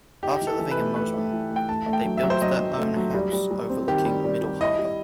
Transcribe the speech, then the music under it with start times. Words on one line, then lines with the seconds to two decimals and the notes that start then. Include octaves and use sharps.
After living in Mosman, they built their own house overlooking Middle Harbour.
0.23 D#4 G4
0.41 E3
0.47 A4
0.59 E3
0.71 B4
0.77 A3
0.95 A3 B4
1.14 A3
1.33 E3
1.51 A3
1.56 G5
1.69 A3 A5
1.86 A3
1.93 G5
2.05 F#3
2.17 E5
2.23 F#3
2.30 C5
2.42 F#3 D#5
2.60 F#3
2.78 A3
2.96 F#3
3.14 G3
3.33 G3
3.51 G3
3.70 C4
3.88 D#3 G4
4.05 G3
4.24 G3
4.42 G3
4.61 E4 D#5
4.79 G3